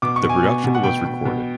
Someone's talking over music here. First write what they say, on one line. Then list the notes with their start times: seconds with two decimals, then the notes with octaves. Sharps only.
The production was recorded.
0.02 B2 D6
0.16 C#6
0.23 B2
0.29 G#5
0.44 B2
0.64 B2
0.75 F#5
0.83 B2 G5
1.04 B2
1.25 B2